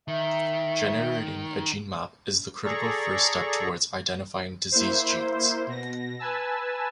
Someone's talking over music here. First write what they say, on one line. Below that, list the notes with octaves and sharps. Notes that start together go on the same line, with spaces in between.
Generating a gene map is the critical first step towards identifying disease genes.
D#3 E5
G#4 A4 D5 A#5 C#6
A#3 E4 C5
B2 A#6
B4 G#5 A5 E6